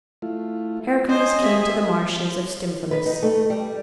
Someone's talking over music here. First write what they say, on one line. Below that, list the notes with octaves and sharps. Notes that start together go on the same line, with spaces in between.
Heracles came to the marshes of Stymphalus.
A3 E4 F4
C#4 C5 D#5 G#5
G4 E5
B4
D#4
A3
G3